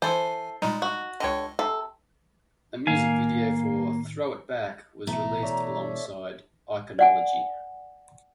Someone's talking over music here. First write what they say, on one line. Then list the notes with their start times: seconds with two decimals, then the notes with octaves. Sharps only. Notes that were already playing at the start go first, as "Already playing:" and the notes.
A music video for "Throw It Back" was released alongside "Iconology".
0.02 E3 E4 A4 C5 G#5
0.62 A#2 G3 G#3 D#4
0.82 F#4
1.20 C#2 D3 G4 C#5 D#5
1.59 C3 A4
2.87 A2 D#3 A#3 F5 G#5
5.07 B2 E3 A3 A#5
5.43 C#5 D5 E5
6.99 D5 F#5 G#5